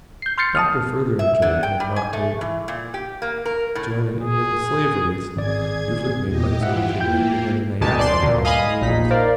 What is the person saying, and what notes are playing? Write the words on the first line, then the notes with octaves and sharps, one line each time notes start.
The Doctor further enjoined him not to join in any of the slave raids usually made by his countrymen, the men of Nyassa, on their neighbours.
G6 C7
C6 F6 G6 A6 C7 C#7
A5 D#6 F6
E5
D3
G5
G3
G#5
A3
E3
A#2
G4
A#3
A#4
A2
G#4
G#1 G#4 D5 G#6
E2 A#2 G4 D#5
G#2 E4 F4 G4 E5 F#5
A#3 E4 F4 G5 G6
D2 D#3 G#3 G4 G#5 A5
D5 C6
D2 A#2 D3
D#5 F5 G#5 B5 D#6
A#1 A#2 D#4 B6
A#4 C5 D5 F5